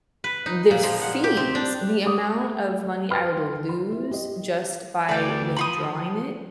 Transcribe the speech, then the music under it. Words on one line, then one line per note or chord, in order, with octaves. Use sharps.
the f fees, the amount of money I would lose just by withdrawing it,
B4
D#4
A#2
F3
F#5
G4
C4
D4
D6 D#6
A3
B4 G5 C6 F6
C6
E4
G4 D#5
D2 A4 D5 G5
F3 B5 C6 D#6